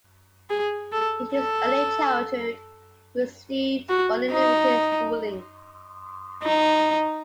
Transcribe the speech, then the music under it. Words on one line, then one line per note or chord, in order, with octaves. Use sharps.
In his early childhood, he received only limited schooling.
G#4
A4
A4
F#4
D#4
D#4